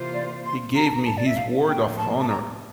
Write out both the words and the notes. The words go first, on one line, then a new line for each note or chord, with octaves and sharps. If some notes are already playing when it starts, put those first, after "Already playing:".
He gave me his word of honor.
Already playing: C3 E3 A#3 F4 C5
D5
C6
A#5
A5
A#5
A5
D5
E5
F5
A2 F3 A#3 G5
A5
A5
A#5